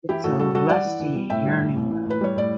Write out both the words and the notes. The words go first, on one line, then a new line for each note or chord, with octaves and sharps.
It's a lusty, yearning moan.
E3 E4 G4
A2 F#4 A4
G3 F#4 A4
G3 F#4 A4
G3 D5 F#5
E3
E3
G3
A2 E5 G5
G3
A2
A1
E3
A2 B4
G3 C#5
A2 D5